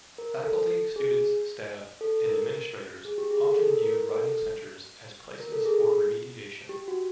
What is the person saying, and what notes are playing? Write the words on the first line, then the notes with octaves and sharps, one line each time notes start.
Faculty, students, staff, and administrators often viewed writing centers as places for remediation.
A#4
A4
G#4
A4
A#4
G#4
G4
G#4
A4
A4
A#4
A#4
A4
A#4
A4
G#4
G4
F#4